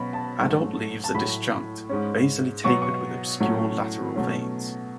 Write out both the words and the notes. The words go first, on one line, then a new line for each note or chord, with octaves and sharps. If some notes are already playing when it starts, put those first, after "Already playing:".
Adult leaves are disjunct, basally tapered with obscure lateral veins.
Already playing: B2 F#3 C#4 B5
A5
G#2 F#3 A3 C#4
A5
A2 F#3 A3 B5
G#2 G#3 C#4
B2 F#3 B3 C#6
C#6
A2 F#3 A3 C#4
B2 F#3 A3 C#4